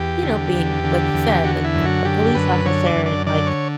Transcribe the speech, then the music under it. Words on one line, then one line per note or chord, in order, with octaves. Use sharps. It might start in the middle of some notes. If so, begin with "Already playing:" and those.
you know, being like you said, like a police officer and like,
Already playing: E2 G4
D3
E2
D3
E2
D3 F#4
E4
F#2
F#4
D3 G4
F#2 B4
D3 C#5
D5
F#2
D5
D3 D5
C#5